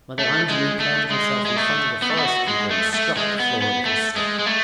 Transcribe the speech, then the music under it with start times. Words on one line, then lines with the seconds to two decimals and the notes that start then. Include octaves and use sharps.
Mother Angenoux planted herself in front of the forest-keeper and struck the floor with her stick.
0.19 A3
0.49 G#3
0.80 A3
1.10 G#3
1.45 G#3
1.56 A3
2.02 B3
2.10 A3
2.17 B3
2.25 F#4
2.48 G#3
2.70 A3
2.94 A3
3.17 G#3
3.39 B3
3.62 B3
3.85 A3
4.16 G#3
4.39 G#3
4.46 A3